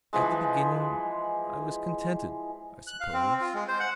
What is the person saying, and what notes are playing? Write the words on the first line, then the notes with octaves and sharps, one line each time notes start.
At the beginning I was contented, I suppose.
E3 F3 G#3
F#6
F5
C4
F4
G#3
C5
F#5